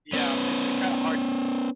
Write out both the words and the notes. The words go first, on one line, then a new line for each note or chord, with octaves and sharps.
Yeah, it's, uh, kinda hard ha
B3 C#4